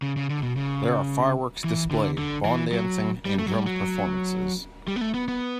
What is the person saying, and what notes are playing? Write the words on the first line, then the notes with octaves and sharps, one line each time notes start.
There are fireworks displayed, bon dancing and drum performances.
C#3
C#3
D3
B2
C#3
E3
D3
D3
E3
F#3
G3
A3
F#3
G3
F#3
G3
B3
A3
B3
B3